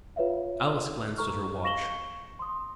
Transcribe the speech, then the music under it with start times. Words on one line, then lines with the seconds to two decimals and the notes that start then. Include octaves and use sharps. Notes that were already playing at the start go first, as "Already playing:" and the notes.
Alice glanced at her watch.
0.16 F4 B4 C#5 E5 F5
1.17 A4 A#5 C#6 F6
1.63 F5 C#6 A#6 E7 F#7 G7
2.39 C6 D#6